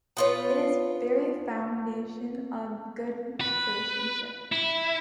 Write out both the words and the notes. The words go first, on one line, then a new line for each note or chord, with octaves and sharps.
It is the very foundation of good citizenship.
B3 F4 C#5
B4
E4